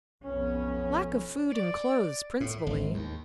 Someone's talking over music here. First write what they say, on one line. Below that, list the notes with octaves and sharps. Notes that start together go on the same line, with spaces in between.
"Lack of food and clothes principally."
B1 F2 B3 C#4
D5
A2
G#1
D#2